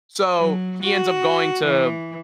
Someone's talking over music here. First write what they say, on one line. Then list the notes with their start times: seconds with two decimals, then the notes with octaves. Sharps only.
So, he ends up going to
0.37 F#3
0.83 F#4
1.65 E3